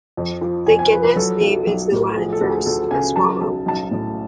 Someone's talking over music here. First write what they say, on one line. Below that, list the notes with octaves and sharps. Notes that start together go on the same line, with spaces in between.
The genus name is the Latin for a swallow.
F2
F3
F2 G#5
G#5
F3 B4
B4
F#3 A4
B1
B1
A2
F3 G#4
A4
D2
G#4
D2 A4
C#3 G#5
F#3 A5
B1 A5
B1 A5
A2